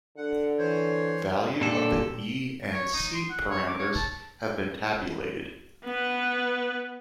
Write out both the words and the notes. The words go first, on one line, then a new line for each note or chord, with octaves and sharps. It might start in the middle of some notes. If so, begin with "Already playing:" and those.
Value of the "E" and "C" parameters have been tabulated.
D3 F#5
E3 C5 C#5
A#2 D3 D4 G4 A4
C#5
D#4
C6
F#5
C#5
D6
C#5
A5
B3 B4